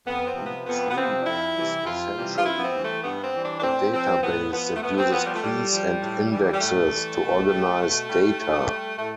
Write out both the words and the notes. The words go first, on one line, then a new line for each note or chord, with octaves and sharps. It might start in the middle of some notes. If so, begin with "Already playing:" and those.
Btrieve is essentially a database that uses keys and indexes to organise data.
F2 B3
C4
C3 F3
B3
F2 B3
B3
C3 F3 C4
D4
F2 E4
C3 E3 G3
F2 F4
C3 E3 G3
F4
G2 E4
B3
C4
E3 G3
A3
G2 B3
C4
E3 G3
D4
D4
A2 C4
F3 C4
A2 B3
F3 B3
A3
A2 B3
C4
F3 B3
G3
A3
A2 G3
F3
A2
E3 G3
G3
A2 A3
E3 G3
B2
G3
B2
G3
A2
G3
A2 A3